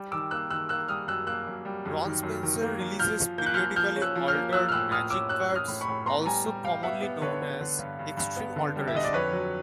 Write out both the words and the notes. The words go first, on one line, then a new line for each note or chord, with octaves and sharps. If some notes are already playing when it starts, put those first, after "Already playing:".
Ron Spencer releases periodically altered Magic cards also commonly known as Extreme Alteration.
Already playing: G3
D#3 D6 E6
A#3 E6 F#6
D#3 E6 F#6
A#3 E6 F#6
G3 D#6 F6
F#2 E6 F#6
A#3 E6 F#6
F#2
G3
F#2
D#3
F#2
D#3
A#3
F#2
F3 F6 G6
F3
A#3 G6
F#6
F6 G6
F3
F3 F6 G6
C#4
E6 F#6
F3
F6 G6
A#3
F3 E6 F#6
F6
A2 E6 F#6
A2 D#6 F6
C#4 D6 E6
C#4 E6 F#6
F#6
C#4
D#6 F6
A2
B5 C#6
A2
B3 A#5 C6
G3 G#5 A#5
G3
G3 F5 G5
B3 E5 F#5
B3
D3 B4 C#5
B3
D3
G2
G2
G2
B3
D3
G3
E5
D3 D#5
D5
F2 B4 C#5
F#3